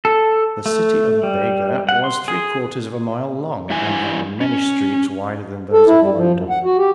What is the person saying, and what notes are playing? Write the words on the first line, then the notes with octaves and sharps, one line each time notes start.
The city of Bega was three-quarters of a mile long and had many streets wider than those of London.
A4
A3
G3
F#5
C6
G#4
G2 E3 G#5
C#4
A4
E4
G3
F3
F#2
F#5
F#4
G4